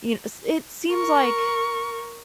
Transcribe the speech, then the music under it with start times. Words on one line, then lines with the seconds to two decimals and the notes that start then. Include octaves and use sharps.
y kn s it seems like,
0.92 A#4 C#6